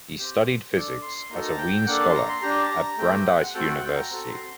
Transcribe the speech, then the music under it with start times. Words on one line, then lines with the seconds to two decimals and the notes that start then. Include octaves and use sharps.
He studied physics as a Wien Scholar at Brandeis University.
0.19 C4 G4
0.75 D4 A4
1.02 C6
1.30 A#3 D#4 F#4 A4 A#5
1.47 A5
1.58 G5
1.86 A#3 D4 A4 F#5
2.00 A5
2.09 C6
2.14 A#5
2.29 C6
2.42 D4 G4 A#5
2.62 A5
2.71 A#5
2.98 A3 C4 G4 G5
3.26 F#5
3.44 F#5
3.54 A3 C4 F#4 A4 G5
3.68 F#5
3.82 G5
3.96 A#5
4.10 C4 F#4 A4 A#5
4.30 C6